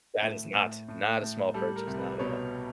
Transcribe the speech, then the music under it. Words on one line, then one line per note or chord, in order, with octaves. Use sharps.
that is not, not a small purchase, not at all,
A2
A2
A2
A2
G3 A4
A#4
C2
B4
B2 C#5